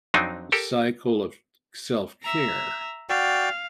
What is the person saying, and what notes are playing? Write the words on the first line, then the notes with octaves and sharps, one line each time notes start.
cycle of self-care
F2 F#3 C4 D4 D#4
G4 A4 A#4
E5 A#5
F#4 D5 F5 G5